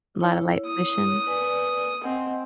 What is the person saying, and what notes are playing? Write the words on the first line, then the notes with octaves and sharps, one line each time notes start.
Lotta light pollution?
E4 C#5
D#6
B4 D5 G#5
C4 D#5 F#5 G#5